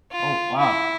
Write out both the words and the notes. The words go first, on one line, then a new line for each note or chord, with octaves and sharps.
Oh, wow.
F4
E4